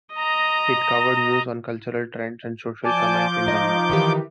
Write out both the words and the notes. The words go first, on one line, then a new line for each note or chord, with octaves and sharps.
It covered news on cultural trends and social comment in Denmark.
D#5 A#5
F3 D5 G#5 A5 D6 G6
G#3 D#4 D#5
D#3 E3 G4